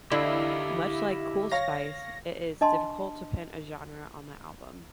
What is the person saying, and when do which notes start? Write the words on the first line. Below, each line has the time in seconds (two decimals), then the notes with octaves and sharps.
Much like Kool Spice, it is difficult to pin a genre on the album.
0.12 D3 E4 G4 D#5 F5
1.52 C#5 F5 A#6
2.61 D4 D#5 A5 C6